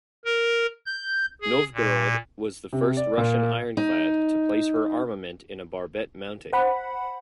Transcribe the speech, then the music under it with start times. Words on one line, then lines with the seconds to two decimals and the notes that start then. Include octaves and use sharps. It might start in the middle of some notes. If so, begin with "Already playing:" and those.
"Novgorod" was the first Russian ironclad to place her armament in a barbette mounting.
0.25 A#4
0.86 G6
1.42 G#4
1.74 A#2
2.73 C3
2.97 D5
3.18 A#2
3.77 D#4
6.53 C5 F#5 B5